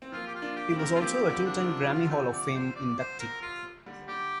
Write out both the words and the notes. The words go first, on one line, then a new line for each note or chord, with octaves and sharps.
He was also a two-time Grammy Hall of Fame inductee.
C4
F3 A#3 F4
G4
F4
A#3 D4
G4
G3 C4
A#4
C4 F4
F3 A#3 G4
D3 G3
D4
C3 F3
F3 F4
D3
C3
D3 G5
D5
C5
D5
C5
A#4
F4
D3 G3
D3 G3 G4